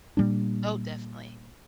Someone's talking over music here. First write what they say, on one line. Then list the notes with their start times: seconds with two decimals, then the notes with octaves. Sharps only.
Oh, definitely.
0.17 A#2 G3 A#3 D4